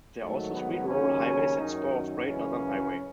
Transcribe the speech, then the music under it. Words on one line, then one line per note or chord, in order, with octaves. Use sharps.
There are also three rural highways that spur off Great Northern Highway.
G#2 D#3 F#3 A3
B3
D#2 C#3 F#3 C#4
F#2 D#3 F#3 D#4
F#2 C#3 E3 C#4